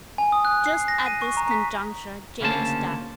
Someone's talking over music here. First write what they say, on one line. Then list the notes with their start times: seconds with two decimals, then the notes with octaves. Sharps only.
Just at this conjuncture James died.
0.18 G#5
0.32 D#6
0.45 F#6
0.66 C7
0.88 A#6
1.06 D#7
1.22 C#6
1.37 A#5
1.51 B6
2.41 D2 C#3 A#3 C#4 C5 A5